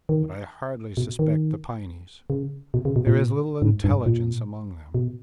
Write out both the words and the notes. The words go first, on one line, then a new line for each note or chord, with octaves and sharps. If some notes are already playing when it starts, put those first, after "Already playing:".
But I hardly suspect the Pineys. There is little intelligence among them.
D#3
B2
D#3
C#3
B2
C#3
B2
A#2
G#2
G2
A#2
B2